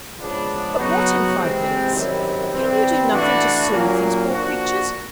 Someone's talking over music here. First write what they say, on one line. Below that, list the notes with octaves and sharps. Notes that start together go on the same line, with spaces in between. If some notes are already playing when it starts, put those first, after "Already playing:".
'But what in five minutes? Can you do nothing to soothe these poor creatures?
C#3 F3 G#3 B3 D4
C#3 F#3 B3 D#4 F#4
C3 E3 G#3 C4
F#2 D#3 G3 C4 E4
E3 G3 C4
E3 A3 D4 F#4
A#2 F#3 A#3 C#4 F4
F3 A#3 D4 F#4